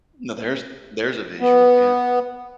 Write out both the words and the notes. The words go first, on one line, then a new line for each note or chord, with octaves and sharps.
Now there's there's a visual, yeah.
B3